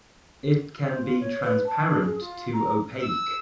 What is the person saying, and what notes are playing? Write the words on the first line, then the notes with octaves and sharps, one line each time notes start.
It can be transparent to opaque.
C5
F4
C#5
B4
A5
D4
G#4
F4
A#5
E6